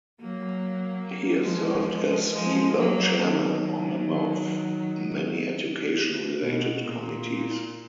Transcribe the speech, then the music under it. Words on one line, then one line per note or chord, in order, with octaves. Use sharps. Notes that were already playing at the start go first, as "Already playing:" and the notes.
He has served as either chairman or member of many education-related committees.
F#3 A#3
F3 G#3
F3 G#3
F#3 A#3
D#3 F#3
B2
A#2